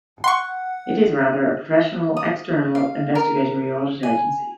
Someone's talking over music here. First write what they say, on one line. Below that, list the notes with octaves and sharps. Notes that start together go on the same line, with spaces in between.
It is, rather, a professional external investigatory audit agency.
F#5 C6 C#6
D#6
F5
A#4
G#5